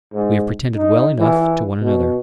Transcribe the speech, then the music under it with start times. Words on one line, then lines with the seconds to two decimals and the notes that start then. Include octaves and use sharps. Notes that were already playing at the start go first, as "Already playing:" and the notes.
We have pretended well enough to one another.
0.13 G#2
0.76 D#4
1.19 E3
1.81 B2